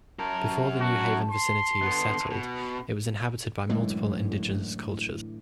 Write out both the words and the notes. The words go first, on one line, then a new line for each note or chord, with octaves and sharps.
Before the New Haven vicinity was settled, it was inhabited by multiple indigenous cultures.
F#2 A#4 A5
F#4 A5
C6
D3 B3
B2
F#2 A2 D3 E3 G#3